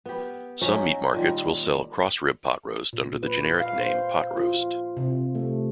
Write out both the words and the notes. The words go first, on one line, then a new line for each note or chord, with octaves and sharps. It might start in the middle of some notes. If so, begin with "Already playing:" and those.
Some meat markets will sell cross-rib pot roast under the generic name pot roast.
B3 G4
F#3 C#4 D#4 E5
A#2 D#3 G3
A#2
B4
F5
C5
F4
C3
A3